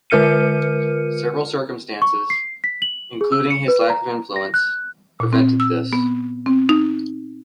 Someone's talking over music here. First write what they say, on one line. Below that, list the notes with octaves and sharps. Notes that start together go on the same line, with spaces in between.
Several circumstances, including his lack of influence, prevented this.
D3 F4 A#4 F6 C#7 D#7
C#6
C7
B6
F#7
G#4
E6
C#7
B4
A#5
A#6
F#6
A#2
C4
E6
B3
C4
D#4